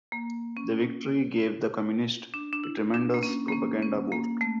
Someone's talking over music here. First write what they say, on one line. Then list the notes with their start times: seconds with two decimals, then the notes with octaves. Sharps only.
The victory gave the Communists a tremendous propaganda boost.
0.12 A#3
0.57 C#4
2.34 D4
2.53 D4
2.64 E4
2.94 D4
3.14 A#3
3.23 C#4
3.48 A#3
3.52 C#4
3.82 C#4
4.12 A#3
4.41 A3